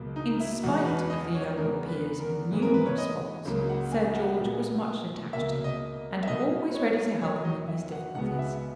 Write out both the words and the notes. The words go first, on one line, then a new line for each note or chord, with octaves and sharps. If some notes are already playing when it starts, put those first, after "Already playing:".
In spite of the young peer's numerous faults Sir George was much attached to him, and always ready to help him in his difficulties.
Already playing: C#2 B2 F#3 A#3
D#4
E4
E2 B2 G#3 B3 F#4
B4
D#5
C#5
E2 C#3 G#3 B3 A#4
B4
A#4
G#2 E3 G#3 B3
A#4
B4
C#5
D#5
C#2 C#3 F#3 A#3
F#5
G#5
F#5
A#2 G#3 B3
C#2 B2 A#3 E5
D#5
E5
B2 A#3 D#5
C#5
E2 D#3 F#3 C#5
D#5
E5
F#5
C#2 B2 G#3 B3 F#5
E5